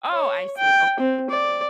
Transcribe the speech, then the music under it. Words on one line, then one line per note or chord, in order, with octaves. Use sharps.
oh, I see, okay.
C#5
G5
C4
D5